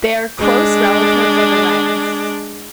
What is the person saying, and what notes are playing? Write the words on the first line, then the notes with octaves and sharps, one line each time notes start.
They are close relatives of the wrens.
G#3 D4